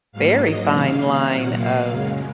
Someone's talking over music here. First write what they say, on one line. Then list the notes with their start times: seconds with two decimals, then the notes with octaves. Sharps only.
very fine line of
0.12 G#2 F#3 A#3 F5
0.41 D#5
0.70 C3 D#3 A#3 F5
1.29 A#2 F#3 A#3 F#5
1.58 F5
1.87 F#2 C#3 G#3